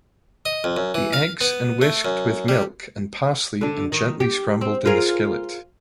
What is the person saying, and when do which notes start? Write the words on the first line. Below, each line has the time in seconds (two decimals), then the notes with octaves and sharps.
The eggs and whisked with milk and parsley and gently scrambled in the skillet.
0.46 D#5
0.64 F2
0.77 F#2
0.94 E3
1.13 F5
1.41 B3
1.82 A3
2.05 F#2
2.48 G3
3.61 D3 D4
3.92 D#3
4.20 G4
4.61 C4
4.85 F4 G#4 A#4